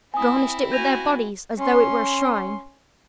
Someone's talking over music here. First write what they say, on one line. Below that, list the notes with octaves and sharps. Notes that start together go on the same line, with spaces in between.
Garnished it with their bodies as though it were a shrine.
C4 E4 G#5 D#6
F#4 G#5 G6 A#6 F7
C#4 C6